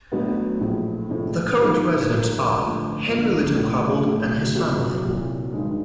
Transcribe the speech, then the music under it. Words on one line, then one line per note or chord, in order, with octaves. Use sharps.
The current residents are Henry Lytton-Cobbold and his family.
A1 A2 F#3 B3 D4
A#1 A2 F3
A#1 A2 F3
G#2 F3 A#3 D#4 G4
G#2 F3 A#3 D#4 G4
A1 G2 D3 F3 A3
A1 G2 D3 F3 A3
A2 F#3 A3
A2 F#3 A3
C2 A#2 F#3
C2 A#2 F#3
G2 D#3 G#3